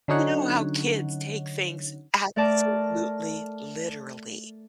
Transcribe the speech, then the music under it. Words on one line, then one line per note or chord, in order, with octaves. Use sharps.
you know how kids take things absolutely literally,
D3 F#3 C#4 D#4 C#5 F#5
A3 A#4 D5 A5